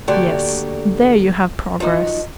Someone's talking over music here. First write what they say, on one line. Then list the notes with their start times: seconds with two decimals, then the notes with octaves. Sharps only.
Yes, there you have progress.
0.07 D3 A3 A#3 F#4 G4 D5
1.80 F3 F#3 D#4 F#4